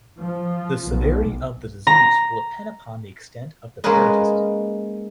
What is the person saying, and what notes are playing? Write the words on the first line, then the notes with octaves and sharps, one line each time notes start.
The severity of the disease will depend upon the extent of the parasitism.
F3
B1
A#5
G#3 A#3 C#4 A#4 B4 D#5